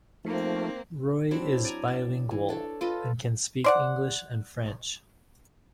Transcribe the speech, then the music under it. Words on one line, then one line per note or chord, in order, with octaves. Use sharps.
Roy is bilingual, and can speak English and French.
F3 A3 A#3 C4 D#4
F#3 C4 D4 E4
D5 G#5 A#5
D5
E3
D4 A4 C#5
F4 A4 B4 D#5
C5 D5 F#5